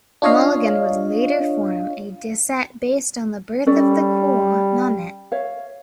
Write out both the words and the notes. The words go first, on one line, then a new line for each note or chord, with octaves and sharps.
Mulligan would later form a decet based on the "Birth of the Cool" nonet.
D4 F4 C#5 D#5 F5
G3 C#4 A4 D5
C#5 E5 F5